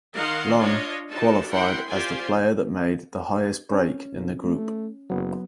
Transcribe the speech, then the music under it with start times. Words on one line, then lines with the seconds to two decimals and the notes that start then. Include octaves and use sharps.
Leung qualified as the player that made the highest break in the group.
0.15 D#3 A#4 D#5 F5 F#5 C6
0.59 D4 F4 C#5 D#5 F5
1.09 D4 D#4 F4 F#4 A4 A5
1.50 E4 A#4 F#5 G5 C6
1.88 F4 G4 C5 D5 G#5
3.72 C#4
4.12 B1
4.43 A3
5.10 F#1 F#3 B3